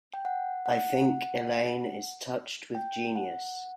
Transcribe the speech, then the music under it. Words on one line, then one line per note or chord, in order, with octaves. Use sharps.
I think Elaine is touched with genius.
G5
F#5
F#5
G5
F#5